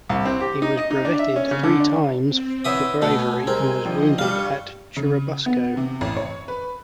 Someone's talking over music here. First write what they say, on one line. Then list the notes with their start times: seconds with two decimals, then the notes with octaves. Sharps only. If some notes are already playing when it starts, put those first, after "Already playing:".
He was brevetted three times for bravery and was wounded at Churubusco.
0.09 C2
0.25 C4
0.40 G4
0.62 D#4
0.77 D#5
0.91 D#4
1.05 D4
1.19 E5
1.36 C#4
1.51 C#3
1.63 D3
1.80 D4
2.25 C4
2.65 E3 C#5 E5 F#5 D#6
3.02 B2 A3 G#5
3.47 G3 G#3 C4 A#4
3.85 D#3 F3 D4 D#5
4.18 G2 G3 F5 C#6
4.97 C#3
5.46 B3
5.77 C3
6.01 A1
6.17 C#5
6.48 B4